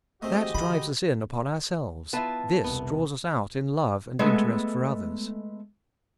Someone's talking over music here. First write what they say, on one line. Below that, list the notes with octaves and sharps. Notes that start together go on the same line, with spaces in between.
That drives us in upon ourselves; this draws us out in love and interest for others.
G#3 A3 C4 F#4 G4 D#5
D3 D#3 B5
B3 E4 F4 B4 A5
E1 C2 B3
G#3 A3 B3